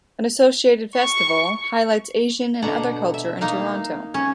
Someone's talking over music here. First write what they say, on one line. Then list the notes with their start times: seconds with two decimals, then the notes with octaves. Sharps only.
An associated festival highlights Asian and other culture in Toronto.
0.96 C#6
2.62 B2 D3 F#5 A#5
3.14 E5
3.41 A#3 D#4 F5
4.14 C#4